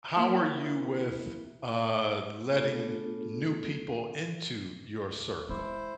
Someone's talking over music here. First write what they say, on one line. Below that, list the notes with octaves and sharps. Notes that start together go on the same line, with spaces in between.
how are you with, uh, letting new people into your circle?
A#3 E4 G5
A3 B3 D4 F4 G#4 A4
G#3 C#4 E4 C5